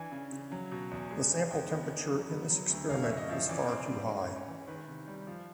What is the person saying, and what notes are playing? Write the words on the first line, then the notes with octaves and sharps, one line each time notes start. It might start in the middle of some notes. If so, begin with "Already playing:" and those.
The sample temperature in this experiment is far too high.
Already playing: E3 D4 G#5
C#3
C#3
F#3
B2
E2
G#3
E3 G#5
E2 G5
B3 D#5
B3
F#3
B3
F#3
D2
F#2 F5
E5
F#2
D#5
F3 E5
E3 D5
C4
G3
G#3
C#4
E3
D#3 B4
C3
G3
F3